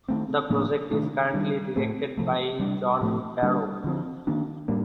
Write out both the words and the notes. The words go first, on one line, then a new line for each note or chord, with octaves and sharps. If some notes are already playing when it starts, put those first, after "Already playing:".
The project is currently directed by John Barrow.
D#3 A3 C4
A2 F3 A#3 D4
C3 D#3 A3 D4
D#3 G3 D4
A2 A3 C4
C3 F3 A3
C3 G3 D4
A2 F3 A3
D3 G3 A#3 D4
D3 F3 C4
D#3 A#3 D4
A2 G3 A#3 D4